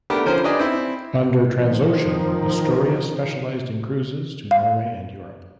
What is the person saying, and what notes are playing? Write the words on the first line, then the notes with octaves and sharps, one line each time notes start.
Under Transocean "Astoria" specialized in cruises to Norway and Europe.
A3 B3 D4 G4 A#4
D3 F3 C#4 A#4 C5
D4 G4 B4 D5 D#5 G#5
C4 E4
D#3 F3
F5